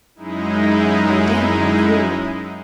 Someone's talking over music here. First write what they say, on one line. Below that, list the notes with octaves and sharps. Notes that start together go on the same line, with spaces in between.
I'm damp all through.
F#2 G#3 D#4 E4